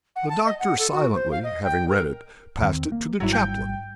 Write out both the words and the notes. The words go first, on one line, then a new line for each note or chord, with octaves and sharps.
The doctor silently, having read it, passed it to the chaplain.
F#5
A5
D#5
F#5
A4
F#4
C5
F5
D#5
G5
A#4
E2 D#3 C4
A#3
G#1 G#2 F#3 G3 E4
G5 G6